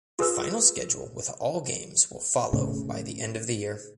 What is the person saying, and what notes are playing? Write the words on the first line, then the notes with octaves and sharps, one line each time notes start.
The final schedule with all games will follow by the end of the year.
F4 G#4 B4 E6
A2 C#3